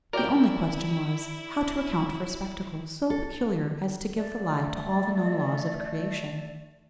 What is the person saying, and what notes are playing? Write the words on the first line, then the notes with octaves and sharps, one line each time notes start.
The only question was, how to account for a spectacle so peculiar, as to give the lie to all the known laws of creation.
E4 F#4 G4 A#4 C#5 D5 G5
A4
A3 D5